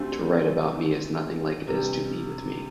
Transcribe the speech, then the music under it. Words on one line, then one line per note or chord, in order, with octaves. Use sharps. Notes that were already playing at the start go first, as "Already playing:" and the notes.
To write about me is nothing like it is to be with me.
Already playing: D2 D3 A3 C4 D4 G4
C3 G3 B3
D4